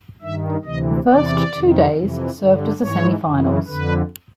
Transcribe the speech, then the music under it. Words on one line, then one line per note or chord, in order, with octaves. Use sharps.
The first two days served as a semi-finals.
G2 D#3 E5
D2 C3 E3 D#5
E2 C3 E3 D5
F2 C3 D#3
F2 C3 E3
G2 D3
G#2 E3 C#5
F#2 C#3 E3
F2 D3 B4